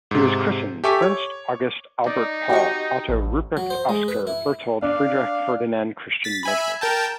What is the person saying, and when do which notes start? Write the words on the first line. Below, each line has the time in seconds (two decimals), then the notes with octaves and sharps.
He was christened, "Ernst August Albert Paul Otto Rupprecht Oskar Berthold Friedrich-Ferdinand Christian-Ludwig".
0.11 G#2 C3
0.84 G4 A4 E5 G#5 C#6 D6
1.02 C#5
2.06 D#4 D5
2.49 F#4 G4 D#5 G5 C#6
3.09 A1
3.57 F#3
3.70 C5
3.89 G#3
4.08 B4
4.27 E4
4.82 D4 F5
6.24 A6 B6
6.43 E5 G#5 B5
6.81 A#4 G5 A5